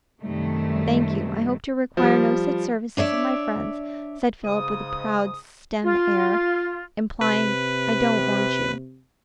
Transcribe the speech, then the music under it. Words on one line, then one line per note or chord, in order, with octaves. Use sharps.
'Thank you; I hope to require no such services of my friends,' said Philip, with a proud stem air, implying, 'I don't want you.'
F#2 C3 D#3 G3 A3
F3 G3
D4 C#5 D5 E5
G#2 C#3 D#6
F4
C3 B4